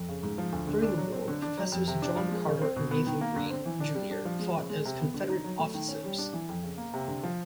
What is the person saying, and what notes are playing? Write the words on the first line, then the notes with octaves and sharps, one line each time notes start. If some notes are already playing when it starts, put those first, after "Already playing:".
During the war, professors John Carter and Nathan Green, Junior fought as Confederate officers.
Already playing: F2
C#3
G#2
F3
D2
D3
D4
F#3
C4
D3
D4
F#3
F2
C3
D4
F3
G#3
C#3
C4
B2
B3
D#3
A#3
D3
C4
E3
D4
G3
D4
F3
G#3
C#3
G#3
C3
B3
D3
D#4
F#3
A3
D#3
C#4
G3
D4
E3
F2
C#3
A#3
C3
D3
F3